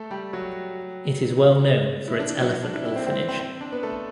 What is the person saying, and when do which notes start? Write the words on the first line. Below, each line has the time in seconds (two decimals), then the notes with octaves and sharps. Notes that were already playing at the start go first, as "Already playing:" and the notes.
It is well known for its elephant orphanage.
Already playing: A3 A4
0.11 G3 G4
0.33 F#3 F#4
2.08 E4
2.19 D4
2.30 E4
2.41 F#3 F#4
2.63 D4
2.74 E4
2.85 E4
2.96 C4 C5
3.06 C4 C5
3.28 C4 C5
3.39 C4 C5
3.61 D4
3.72 B3 B4
3.83 A3 A4